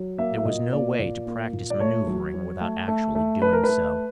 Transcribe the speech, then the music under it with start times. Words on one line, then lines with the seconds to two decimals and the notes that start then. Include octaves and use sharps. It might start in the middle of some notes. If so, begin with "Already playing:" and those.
There was no way to practice maneuvering without actually doing so.
Already playing: F#3
0.18 A#3 E5
0.38 E5
0.45 A#2 D#5
0.72 A#3 D5
0.99 A#2
1.26 A#3
1.53 A#2
1.70 D5
1.80 A3 C#5
2.07 F#3
2.34 F#3
2.61 A3
2.88 A3
3.15 A3
3.41 A3 B4
3.53 A#4
3.64 A3 B4